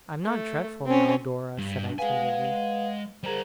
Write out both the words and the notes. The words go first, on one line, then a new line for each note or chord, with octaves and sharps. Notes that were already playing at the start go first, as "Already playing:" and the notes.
'I am not dreadful now, Dora?' said I, tenderly.
A3
C4 C#4
G2
G#3 B4 F5 F#5 G#5
G3 G#4 A#4 C5 A#5